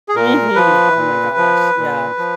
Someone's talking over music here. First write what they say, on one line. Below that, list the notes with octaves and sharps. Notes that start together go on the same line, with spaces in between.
Mhm. Oh my gosh. Yeah.
G#4
A#2 A#4
F3 B4
A#2
F3
A#2
F3